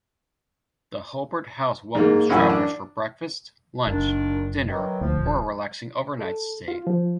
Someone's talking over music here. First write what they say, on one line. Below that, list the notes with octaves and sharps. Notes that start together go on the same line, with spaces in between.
The Hulbert House welcomes travelers for breakfast, lunch, dinner or a relaxing overnight stay.
G#2 G#3 A#3
A1 F#2 C#4 E4 G#5 E6
D4
F#1 A#2 D#3 D4
D#3 E3 F#3
D2 F3
D#1
A4
F4
F3